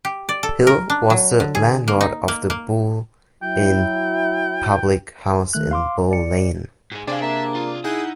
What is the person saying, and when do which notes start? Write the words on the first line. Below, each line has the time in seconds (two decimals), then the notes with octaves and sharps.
Hill was the landlord of the Bull Inn public house in Bull Lane.
0.05 G4
0.29 D5
0.43 A4
0.67 A#4
0.90 D4
1.10 F#3
1.40 D3
1.55 G#4
1.88 A#3
2.01 D#4
2.28 A#3
2.50 A#3
3.43 F#3 E4 G5
5.53 D#3 A3 F#6
5.71 F5 C6 D6
6.11 D5 C#7
6.92 G#2 G#3
7.07 C3 C4 D4 G#4 F5
7.22 A#3 E5
7.55 F4
7.84 D#4 E4 G#4 F#5 G6